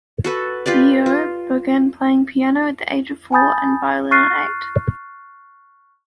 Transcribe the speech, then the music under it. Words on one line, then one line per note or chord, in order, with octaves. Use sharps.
Yeoh began playing piano at the age of four and violin at eight.
F#4 A4 B4
F4 G4 B4 D5
F4
G#5 A5 B5 D#6 G6 A6
C#6 F6 F#6 A6 C7 D#7